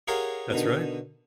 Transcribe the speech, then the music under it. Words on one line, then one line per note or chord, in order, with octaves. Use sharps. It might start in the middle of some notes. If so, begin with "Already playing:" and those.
that's right.
G4 G#4 A#4 C#5 F5 F#5
B2 D3 D#3